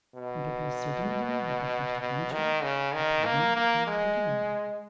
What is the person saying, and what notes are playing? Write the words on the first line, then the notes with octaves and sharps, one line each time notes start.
And because Sir Dinadan had the first adventure of him I will begin.
B2
B2
D#3
C#3
D#3
A#3
A#3
G#3